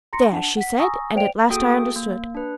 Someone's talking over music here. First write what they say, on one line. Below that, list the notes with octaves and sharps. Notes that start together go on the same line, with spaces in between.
"There!" she said--and at last I understood.
A#5 C6 A#6 C#7
D4 F#5 A5
F#5 B6
G#5 A#5 C#6 D#6 E6 A#6
C5 D5 F5 G5 D7 F7
A#3 F#4 G#4 A4 G5 D#6
A#3
D4 B4